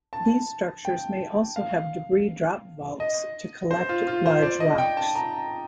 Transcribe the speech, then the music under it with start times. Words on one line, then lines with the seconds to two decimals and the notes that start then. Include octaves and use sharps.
These structures may also have debris drop vaults to collect large rocks.
0.13 A5
0.85 G5
1.56 F5
3.00 D#5
3.71 C5
3.89 F4
4.07 F4
4.26 C5
4.42 D5
4.60 D#5
4.78 G5
4.97 A5
5.15 A#5